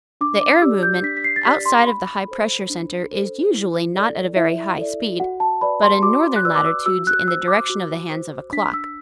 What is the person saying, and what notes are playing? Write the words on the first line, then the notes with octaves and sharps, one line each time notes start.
The air movement outside of the high-pressure center is usually not at a very high speed, but in northern latitudes in the direction of the hands of a clock.
D4 D6
D6
G4 D5 E6
G6
D4 B6
B6
C7
A6
G4 D5 B6
C6
D4 B5
A4 C5
D4
A4 C5
E4
A4 D5
E4 E5
A4 D5
F#4 F#5
A5
B4 D5 B5
C6
F#4 D6
F#6
B4 D5 E6
D6
E6
F#4 E6
F#6
C5 E6
D6
F#4
C5
D4 B6
E6